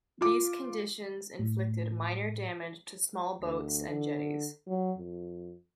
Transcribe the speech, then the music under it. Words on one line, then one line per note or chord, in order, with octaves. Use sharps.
These conditions inflicted minor damage to small boats and jetties.
F4 D6
A2
D2
D3
F#3
F2